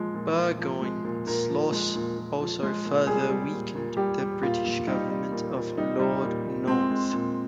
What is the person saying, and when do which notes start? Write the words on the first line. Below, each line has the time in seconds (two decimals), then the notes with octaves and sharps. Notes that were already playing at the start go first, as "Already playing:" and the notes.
Burgoyne's loss also further weakened the British government of Lord North.
Already playing: A#2 F3 G#3
0.14 A#2
0.36 A#2
0.59 F3
0.82 G#3
1.05 A#2
1.27 A#2 A#4
1.49 F3
1.72 G#3
1.95 A#2
2.18 A#2
2.40 F3
2.63 G#3
2.85 A#2
3.07 G3 G#4
3.29 G3
3.52 A#2
3.75 A#2
3.97 G3 G4
4.20 G3
4.42 A#2 F4
4.65 A#2
4.87 G3 D#4
5.09 G3
5.32 A#2
5.56 A#2
5.77 G3 D#4
5.99 G3
6.23 A#2
6.46 A#2
6.67 G#3 C4
6.91 G#3
7.13 A#2